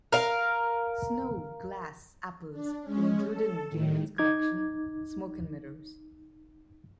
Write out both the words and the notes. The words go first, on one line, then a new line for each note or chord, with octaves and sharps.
"Snow, Glass, Apples" is included in Gaiman's collection, "Smoke and Mirrors".
A#4 F5
D4
G#3 C#4
A4
A2 D#3
D#4 D6 G#6